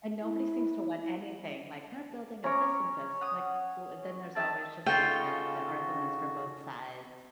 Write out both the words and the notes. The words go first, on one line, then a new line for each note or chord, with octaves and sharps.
And nobody seems to want anything, like, "They're building a this and this," like, will and then there's always just, like, the the arguments for both sides,
E4
C#4 C#5 A#5 D6
F#5 D#6
C4 D#5 E5 A5
C#3 D#4 F4 F#4 A4 G5